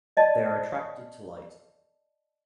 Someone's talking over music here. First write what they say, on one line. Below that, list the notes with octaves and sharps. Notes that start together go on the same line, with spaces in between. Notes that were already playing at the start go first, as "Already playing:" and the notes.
They are attracted to light.
D5 D#5 A5